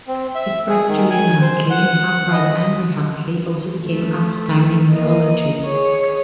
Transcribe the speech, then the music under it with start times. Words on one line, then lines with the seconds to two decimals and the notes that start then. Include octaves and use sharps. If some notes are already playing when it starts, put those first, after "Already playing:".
His brother Julian Huxley and half-brother Andrew Huxley also became outstanding biologists.
0.08 C4
0.35 E5
0.69 G#4
0.89 D#3
1.10 G#5
1.42 C5
1.70 F#5
2.33 D#5
3.82 A3
4.90 A#3 D#5
5.64 G#4 C#5